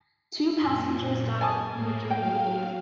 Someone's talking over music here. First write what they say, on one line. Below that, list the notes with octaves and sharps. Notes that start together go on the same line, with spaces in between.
Two passengers died before the journey began.
F#2 A#2
G#5 A5 D#6
A2 A#3
F#3 F5 G5